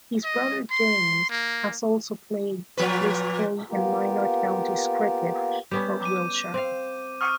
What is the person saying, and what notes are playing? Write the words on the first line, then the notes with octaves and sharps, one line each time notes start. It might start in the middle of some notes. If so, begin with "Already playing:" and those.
His brother, James, has also played List A and Minor Counties cricket for Wiltshire.
D#5
C6
A#3
A#2 F3 B4
A#3 B3 F4 G4 A#4
G3 B3 C#4 G6
D6 D#7
C4 F5
C#6 D#6 F6